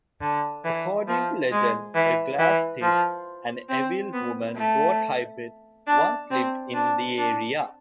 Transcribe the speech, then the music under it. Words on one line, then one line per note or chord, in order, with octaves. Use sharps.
According to legend a glaistig, an evil woman-goat hybrid, once lived in the area.
D3
E3
F3
G#3
E3
E3
F3
C4
B3
A3
D4
C4
D4
D4